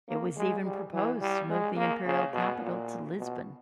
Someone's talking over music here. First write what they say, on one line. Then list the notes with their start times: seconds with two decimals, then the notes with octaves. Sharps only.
It was even proposed to move the Imperial capital to Lisbon.
0.09 A#3
0.37 G#3
0.65 G3
0.93 E3
1.21 G3
1.50 G#3
1.77 A#3
2.05 C#3
2.34 B2
2.62 A#2
3.18 B2